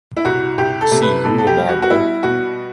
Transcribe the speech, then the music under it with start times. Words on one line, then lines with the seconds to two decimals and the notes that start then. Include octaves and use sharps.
See Yule marble.
0.17 E4
0.25 C2 F#4
0.58 C2 G4
0.81 A4
0.91 C3
1.02 B4
1.24 B2 A4
1.38 A4
1.47 G4
1.57 G3
1.68 F#4
1.82 F#4
1.90 G3 E4
2.23 B2 F#4